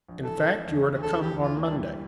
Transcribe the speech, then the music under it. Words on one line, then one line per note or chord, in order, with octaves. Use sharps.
In fact, you are to come on Monday.
A#1
E3 A4
C#4
A3
E2
C#3
D2
A4
E3
G4
D2
E3 F4
A#3
D4
G3